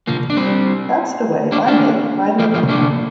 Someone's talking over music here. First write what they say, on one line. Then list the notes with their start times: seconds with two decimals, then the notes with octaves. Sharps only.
That's the way I make my living.
0.07 F3 A#3
0.30 D4
0.37 G3 C4
1.52 A#3 D4
1.67 A#3 D4
2.39 F3 A#3
2.54 F3 A#3
2.69 A#3 D4